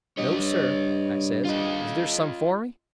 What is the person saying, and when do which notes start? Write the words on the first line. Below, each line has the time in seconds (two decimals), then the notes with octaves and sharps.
"No, sir," I says; "is there some for me?"
0.17 G2 C#5 D#5
1.45 F4 D#5